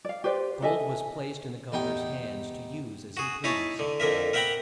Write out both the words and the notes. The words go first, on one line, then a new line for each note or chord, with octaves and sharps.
Gold was placed in the Gov-er-nor's hands to use as he pleased.
D5 F5
G4 B4 C5 D5
A4 D#5 E5 G#5
E2 D#4 G4 G5
F#4 G#4
D#4 E4 G#4 C#5 A5
D3
F2 D3 A#4 E5
A#4 E5 F#5 G5 A#5 B5